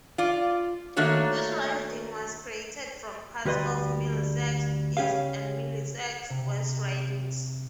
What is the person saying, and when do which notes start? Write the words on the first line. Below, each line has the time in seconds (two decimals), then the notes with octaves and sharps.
This riding was created from parts of Middlesex East and Middlesex West ridings.
0.18 F4 D5
0.96 D#3 A3 A#3 D4 F#4 C#5
3.45 D2 G3 B4 D#5 C6
4.97 C#3 C#4 G4 G#4 F5
6.30 C3